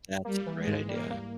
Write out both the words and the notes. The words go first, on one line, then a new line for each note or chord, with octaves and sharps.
That's a great idea.
G3 A#3
E3
G#3
G#2
G3 A#3
A#3